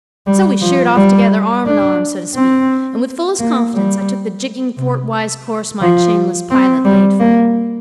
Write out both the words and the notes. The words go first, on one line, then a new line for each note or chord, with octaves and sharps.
So we sheered off together, arm-in-arm, so to speak; and with fullest confidence I took the jigging, thwartwise course my chainless pilot laid for me.
G3
F3
G3
D4
C4
A#3
G3
C3
F3
C4
G3
A#3